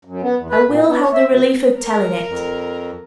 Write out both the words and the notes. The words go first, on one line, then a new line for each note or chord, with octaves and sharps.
I will have the relief of telling it.
F#2
B3
E2
B4
A#2
B3
C#5
E5
D2
A#4
F2